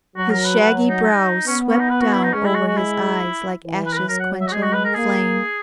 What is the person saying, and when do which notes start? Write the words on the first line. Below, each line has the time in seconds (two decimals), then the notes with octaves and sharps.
His shaggy brows swept down over his eyes like ashes quenching flame.
0.16 F#3 F#4
0.30 A#4
0.45 B4
0.60 F#3 B4
0.89 D#4
1.03 D#4
1.47 B3 C#4
1.69 C#4
1.80 D#4
1.90 B4
2.01 F#4
2.13 E4
2.23 D#4
2.33 G#3 C#4
2.45 E4
2.55 F#4
2.67 F#4
2.77 E4
3.65 E3
3.86 B4
3.93 A#4
3.97 B4
4.08 F#3 A#4
4.20 F#5
4.41 E5
4.47 F#4
4.52 G#3 G#4
4.62 F#4
4.74 B4
4.85 A#4
4.95 A#3 G#4